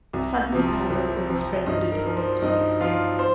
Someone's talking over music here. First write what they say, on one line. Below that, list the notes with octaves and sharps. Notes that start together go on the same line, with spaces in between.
A sudden pallor overspread the detective's face.
C2
C3 F3
C2
C3 F3
G2 D#4 D#5
A#4
F3
C5
G2 D#4 D#5
F3 F4 F5
C5 C6